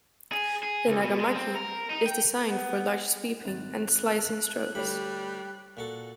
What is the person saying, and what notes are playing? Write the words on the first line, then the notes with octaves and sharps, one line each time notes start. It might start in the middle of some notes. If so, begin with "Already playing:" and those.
The nagamaki is designed for large sweeping and slicing strokes.
G#4
G#4
C#2
B2
G#3
C4
A#4
D#4
G5
B3
G#1 F#6 A6
D2 G3 G4 C#5 B5
A#2 F#4 A4